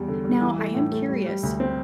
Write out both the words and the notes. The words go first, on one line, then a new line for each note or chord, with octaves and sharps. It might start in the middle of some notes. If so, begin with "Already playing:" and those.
Now, I am curious.
Already playing: E2 G3
D3
G3
E3
A3
A2
A3
G3
G3
D2
C4